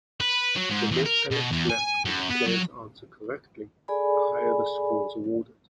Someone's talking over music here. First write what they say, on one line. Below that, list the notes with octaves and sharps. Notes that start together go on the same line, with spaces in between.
The more pellets left when the players answer correctly, the higher the scores awarded.
B4
F#3
G#2
E2
A#4
B2
E2
G#5
F#2
B3
F#3
G#4 A4 D5 G#5 B5